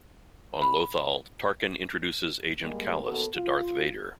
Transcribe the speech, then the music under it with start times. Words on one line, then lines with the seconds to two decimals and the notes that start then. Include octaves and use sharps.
On Lothal, Tarkin introduces Agent Kallus to Darth Vader.
0.62 B5
2.61 G3 G#3 A#3
3.03 D#2 B3 F#4 A4
3.35 F4